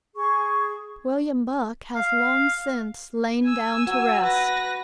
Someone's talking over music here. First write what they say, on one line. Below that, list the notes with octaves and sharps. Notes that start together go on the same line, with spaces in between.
William Buck has long since lain down to rest.
G#4 C#6
F5
G#5 E6
F#3
B4 A#6